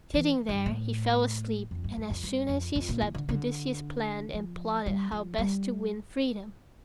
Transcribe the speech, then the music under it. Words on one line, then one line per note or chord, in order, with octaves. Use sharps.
Sitting there, he fell asleep, and, as soon as he slept, Odysseus planned and plotted how best to win freedom.
E3
G2
A2
F2
G2
G2
F2
G2
F2
F2
A#2
E3
D3
D3
F3
G3
F3
G3